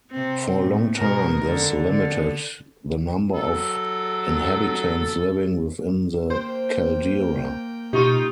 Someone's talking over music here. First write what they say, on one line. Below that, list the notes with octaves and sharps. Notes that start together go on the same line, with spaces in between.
For a long time, this limited the number of inhabitants living within the caldera.
C3 C4
A2
B2 G#3 A#4
D3
D3
F#3 A4
A#3 C5 G5 C6
B2 D#4 F4 G4 C#6